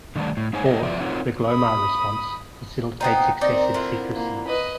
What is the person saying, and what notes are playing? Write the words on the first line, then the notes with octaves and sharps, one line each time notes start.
Fourth, the Glomar response facilitates excessive secrecy.
D3 D#3 G3 A3 D5 A5
A2
G#3 D#4 G#4 C5 C#5 G#5
E4 F#4 A4 D#5 E5
F3 F4 D5 E5
C4 D#4 F4 F#4 A#4 C#5
B5 D#6
B3 C4 D#4
C4 D#4 A#4 D5
D3 E4 F4
A#3
B4 D#5